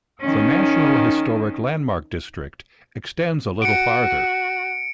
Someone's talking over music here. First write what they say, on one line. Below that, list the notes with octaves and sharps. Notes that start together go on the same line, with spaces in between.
The National Historic Landmark district extends a little farther.
D#3 C#4
F#4 C#7 D7